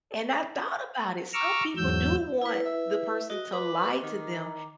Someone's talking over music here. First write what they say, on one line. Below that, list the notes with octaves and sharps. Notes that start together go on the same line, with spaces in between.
And I thought about it, some people do want the person to lie to them,
A#5 C#6 D6 E6 F6
E2 G#2 F#3 E6 G6
E4 B4
E5
F#4 D#5
B4 D6
D#3